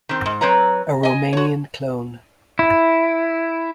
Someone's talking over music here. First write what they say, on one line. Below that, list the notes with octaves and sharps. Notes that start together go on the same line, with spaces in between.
A Romanian clone.
D#3 C4
G#2
F#3 C4 B4 C#5 A#5
D#5 G#5
F#4 C#5
E4